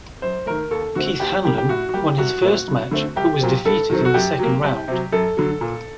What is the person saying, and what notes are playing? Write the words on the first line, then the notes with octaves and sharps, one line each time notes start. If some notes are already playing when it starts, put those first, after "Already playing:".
Keith Hanlon won his first match, but was defeated in the second round.
F#2 C5
D#3 A3 A#4
D#2 A4
D3 A3 C4 F#4
D2 G4
D3 G3 A#3 G4
G4
A2 F#4
F#4
G3 A#3 G4
C2 F#4
A#2 A3 C4
G2
D3 A3 C4
C2 G4
A#2 F#3 C4
G2 A4
D#3 F#3 C4
F#4
F#2 G4
F#3 A#3
C2
C3 F#3
F#2 A4
D3 F#3
A#2